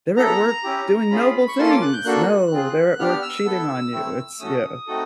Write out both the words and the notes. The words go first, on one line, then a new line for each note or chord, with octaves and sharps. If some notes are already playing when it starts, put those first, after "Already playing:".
"They're at work doing noble things." No, they're at work cheating on you. It's Yeah.
B3 E4 A4 A#5
C#4 E4 G4
C#4 F4 G#4 B5
C#6
A#3 C#4 F4 A4 C6
D6
F#6
G6
A#3 D4 F#4 A4 F#6
C4 F4 G#4
B3 D4 G4 F6
E6
B3 E4 A4
A3 C4 E4
A3 C#4 F#4 A4 D#6
A3 C4 D#4 F#4 A4